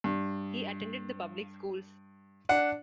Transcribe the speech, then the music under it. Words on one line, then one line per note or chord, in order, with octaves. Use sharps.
He attended the public schools.
G2
D4 F#5